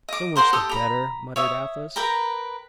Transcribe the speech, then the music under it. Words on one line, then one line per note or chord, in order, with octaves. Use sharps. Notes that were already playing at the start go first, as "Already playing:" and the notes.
"So much the better," muttered Athos.
D#5 D6
A#4 C5 F#5 C6
G4 A4 D#6
A#5 B5
C#5 E5 D#6
A#4 B4 G5 A#5